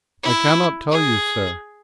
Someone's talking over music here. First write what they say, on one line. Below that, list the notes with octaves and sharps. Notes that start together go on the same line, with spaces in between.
"I cannot tell you, sir."
E4
G#4